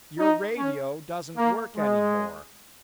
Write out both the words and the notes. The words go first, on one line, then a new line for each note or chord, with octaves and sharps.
Your radio doesn't work any more.
D#4
C#4
A#3
G#3